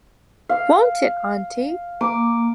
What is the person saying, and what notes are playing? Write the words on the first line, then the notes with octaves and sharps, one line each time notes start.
Won't it, auntie?
F5
A#3 D6